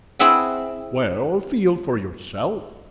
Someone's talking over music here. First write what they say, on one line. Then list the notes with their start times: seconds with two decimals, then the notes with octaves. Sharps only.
"Well, feel for yourself."
0.19 C4 E4 G#4 E5 F#5